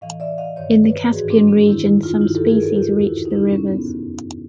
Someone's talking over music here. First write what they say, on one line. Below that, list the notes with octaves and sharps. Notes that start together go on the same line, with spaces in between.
In the Caspian region some species reach the rivers.
A2 E3 D#5 F5
D5 E5
D#5 F5
G2 D#3 C#5 D#5
B4 C#5
G#2 E3 F#4 G#4
C4 D4
C4 D4
F#2 D#3 D4 E4
D#4 F4
G2 D#3 E4 F#4
G4 A4
G#4 A#4
A4 B4
E2 C#3 E3 F4 G4
E4 F#4
D#4
E2 C3 D#3 D4 E4
C#4 D#4
B3 C#4
F2 D3